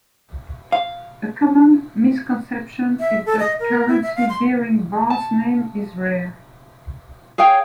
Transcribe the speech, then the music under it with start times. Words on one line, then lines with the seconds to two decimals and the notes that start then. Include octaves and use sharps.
A common misconception is that currency bearing Barr's name is rare.
0.72 F5
3.00 E5
3.26 A4
3.39 D#5
3.60 A#4
3.88 E4
4.03 E5
4.16 F5
4.29 C6
5.10 A5
7.38 G#4 C#5 F5 G5